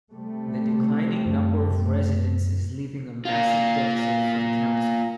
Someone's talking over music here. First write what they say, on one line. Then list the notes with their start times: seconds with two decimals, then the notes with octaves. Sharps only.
The declining number of residents is leaving a massive deficit for the council.
0.11 C3 G3 A3
1.26 F#2
3.25 A#3 F4